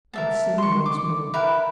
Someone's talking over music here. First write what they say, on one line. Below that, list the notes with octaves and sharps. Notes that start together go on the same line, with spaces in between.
Let's sing once more!
A#4 E5 A5
C6 C#6
D6
E4 A#4 B4 G5